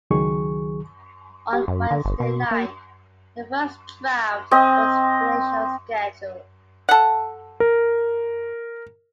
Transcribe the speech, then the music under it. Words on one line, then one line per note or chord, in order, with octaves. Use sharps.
On Wednesday night, the first draft was finished on schedule.
C#2 D#3 F#3 G#4 C#6
G4
F#2
D3
G1
B2
A#3
C4 D#5
A4 F#5
A#4